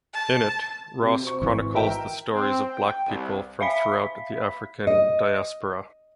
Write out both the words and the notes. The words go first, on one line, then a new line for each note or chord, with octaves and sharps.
In it, Ross chronicles the stories of black people from throughout the African diaspora.
A5
C3
C4 C#6
G#1 E3
A#4 E5 G5
C4
G5
C2
E5 F5 B5 B6
D#5